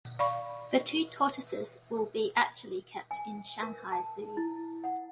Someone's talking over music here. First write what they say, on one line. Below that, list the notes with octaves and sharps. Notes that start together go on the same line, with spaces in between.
The two tortoises will be actually kept in Shanghai Zoo.
D5 F5 B5 C#6
G#5
A#4
A5
E4
F#5